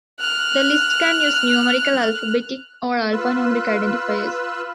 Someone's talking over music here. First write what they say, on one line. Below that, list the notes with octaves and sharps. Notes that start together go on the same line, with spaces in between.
The list can use numerical, alphabetic, or alpha-numeric identifiers.
F6 F#6
F4 B4 E6 F#6